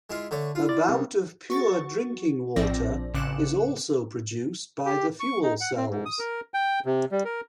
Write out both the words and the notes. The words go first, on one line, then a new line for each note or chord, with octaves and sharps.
About of pure drinking water is also produced by the fuel cells.
G#3 E4 F4
D3 A3 C#5
E4 F4
D5
C2 C3
F#4 C#6 A6
A#1 F3 C4 D5 A#6
A1 C#3 D6 F#6 C#7 E7
G4
C#6
D#4
F#5
C4
G#2
D#6
A#4
G5
C3
G3
A#4